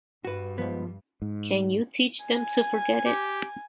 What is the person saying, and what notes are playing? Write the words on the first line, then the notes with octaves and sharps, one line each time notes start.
Can you teach them to forget it?
G2 F#4 B4
G#2 F3 B3
G#2
G#5
G4